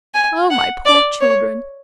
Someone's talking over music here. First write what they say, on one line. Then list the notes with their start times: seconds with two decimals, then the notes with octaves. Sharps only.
O my poor children!
0.14 G#5
0.50 F#5
0.86 D5
1.21 C#5